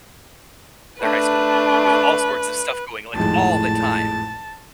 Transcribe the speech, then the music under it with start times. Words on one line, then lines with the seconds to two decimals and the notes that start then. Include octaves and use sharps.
their high school with all sorts of stuff going, like, all the time,
1.02 A3 D4 B4
3.15 G#1 F2 A2 G#3 A5